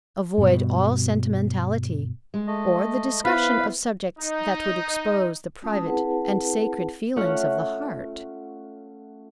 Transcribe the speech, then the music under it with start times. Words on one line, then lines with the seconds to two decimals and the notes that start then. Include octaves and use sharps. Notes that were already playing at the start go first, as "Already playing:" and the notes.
Avoid all sentimentality, or the discussion of subjects that would expose the private and sacred feelings of the heart.
0.38 G2 B2
2.34 G#3
2.47 A3 D#5
3.24 B3 E4 B4 C5 F5 B5
4.18 D#4
5.62 G#3 C#4 F4 A5 D#6
5.85 C4 E4 G#4 B4 F#5 A5
7.16 A3 C#4 F4 C#5 E5 F#5